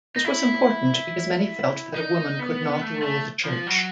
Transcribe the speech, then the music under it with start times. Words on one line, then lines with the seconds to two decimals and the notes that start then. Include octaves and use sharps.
This was important because many felt that a woman could not rule the church.
0.16 D#4
0.24 E4
1.95 D#4
2.39 B3
2.81 A3
3.02 A3
3.45 F3
3.67 F#3